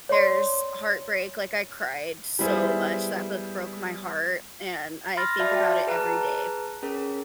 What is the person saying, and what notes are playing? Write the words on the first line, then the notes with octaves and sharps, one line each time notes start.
there's heartbreak, like, I cried so much, that book broke my heart, and I think about it every day.
C#5 D5 C6
G3 B3 E4 G#4 C5
B5 C6 F6 A6 A#6
F#4 D5 E5 F5 A5
G5 A5
G#4 B4 A5 A#5 F#6
C#4 G#4 A#4